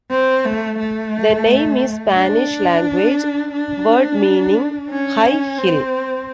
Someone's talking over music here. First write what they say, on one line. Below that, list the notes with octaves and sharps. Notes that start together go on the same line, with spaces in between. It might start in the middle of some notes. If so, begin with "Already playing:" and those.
The name is Spanish language word meaning "high hill".
C4
A3
A3
D4
D4
C#4
C4